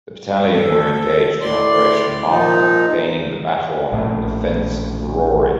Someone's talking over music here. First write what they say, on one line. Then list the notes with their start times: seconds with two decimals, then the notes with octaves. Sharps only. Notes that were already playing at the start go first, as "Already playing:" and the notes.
The Battalion were engaged in Operation Martlet gaining the Battle Honour "Defence of Rauray".
0.51 A4
1.41 A2 D5 C6
2.30 A#2 F3 D#4
3.93 A#1 A2